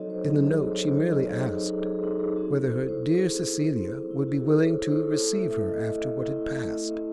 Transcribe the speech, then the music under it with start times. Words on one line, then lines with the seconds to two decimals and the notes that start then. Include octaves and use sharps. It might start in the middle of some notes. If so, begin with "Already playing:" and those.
In the note she merely asked whether her "dear Cecilia" would be willing to receive her after what had passed.
Already playing: F#3 C4 D#4 F#4 A4 C#5 D#5
0.10 C5
0.27 F#3 G#4
0.45 G#4
0.62 C4 D#4 F#4 A4
0.73 C#5
0.79 C5
0.97 F#3 F#4
1.11 D#5
1.20 C#5
1.32 C4 D#4 F#4
1.44 G#4
1.66 F#3 A4
1.84 G#4
2.02 C4 D#4 F#4 A4
2.19 G#4
2.36 C4 F#4
2.54 A4
2.71 E4 C5
2.89 C5
3.06 C4 G#4
3.41 E4
3.76 C4
4.11 E4
4.28 F#4
4.38 G#4
4.46 C4 A4
4.58 C#5
4.69 C5
4.81 E4
4.87 C5
4.93 A4
5.16 A3 A4
5.33 E5
5.51 C4 E4 E5
5.68 D#5
5.79 E5
5.86 A3 D#5
6.21 C4 E4
6.56 A3
6.90 C4 E4